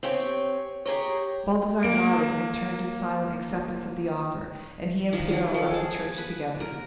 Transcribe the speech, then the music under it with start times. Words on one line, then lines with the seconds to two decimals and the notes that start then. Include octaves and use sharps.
Baldassarre nodded, and turned in silent acceptance of the offer, and he and Piero left the church together.
0.03 C4 G4 C#5 G#5
0.86 G4 G#4 A#4 C#5
1.83 A#3 D7
5.13 D#3 F3
5.28 F3 F#3
5.54 F3 A4
5.71 G#4 A5
6.18 B4
6.60 A#4